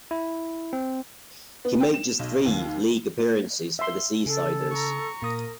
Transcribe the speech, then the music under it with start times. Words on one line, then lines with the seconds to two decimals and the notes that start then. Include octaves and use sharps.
He made just three League appearances for the Seasiders.
0.11 E4
0.73 C4
1.65 B3
1.81 G5
1.94 E7
2.19 B1
2.46 D#2
3.79 E5 C6
4.26 C#3 A4
4.71 A#5 C#6
5.22 A#2 A#4 D#6 A#6